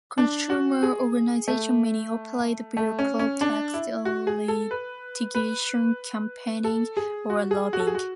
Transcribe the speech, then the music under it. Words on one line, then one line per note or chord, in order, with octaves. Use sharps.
Consumer organizations may operate via protests, litigation, campaigning, or lobbying.
D4
F#4
G#4
A3
A3
C#4
C#4
D4
E4
F#4
G#4
A4
B4
B4
A4
G#4
F#4
G#4
F#4
A4
G#4
F#4